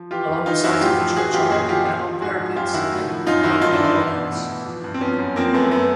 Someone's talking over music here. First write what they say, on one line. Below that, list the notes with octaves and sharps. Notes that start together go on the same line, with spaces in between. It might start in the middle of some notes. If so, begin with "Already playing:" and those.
Along the sides of the church are embattled parapets and crocketed pinnacles.
Already playing: F3
E3 F4 G4
E2
E3 D#4 F4
F#2 E4 F#4
A2 F4 G4
F3
E3 F#4 G#4
F#2 F4 G4
A#2 F#4 G#4
F3 F4 G4
A#2
F3
G#2 F#4 G#4
F3
F#2 F4 G4
D#3 E4 F#4
A2
F3
F#2 D#4 F4
D#3 E4 F#4
G2 D#4 F4
D4 E4
E3
D#4 F4
E2 D4 E4
B2
A2
E3
F3
G2
C4
F3 B3 C#4
F#2
F3 A#3 C4
F#2 A3 B3
A3 B3